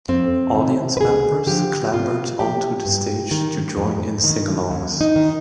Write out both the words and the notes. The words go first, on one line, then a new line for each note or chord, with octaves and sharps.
Audience members clambered onto the stage to join in singalongs.
F2 C4
C3 D#3
B4
D2 G#4
D3 F3 G4
G#2 F4
F3 G4
G2
D#3
F2
D#3
D#2
D#4
D#3